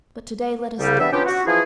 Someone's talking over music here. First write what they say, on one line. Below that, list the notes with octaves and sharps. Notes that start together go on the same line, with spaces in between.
But to-day let us dance.
C2 C#3 G3
G3 B3 D4 E5
B3 C#4 D4 F4 G4
F#4
E3 F3 E4 G#4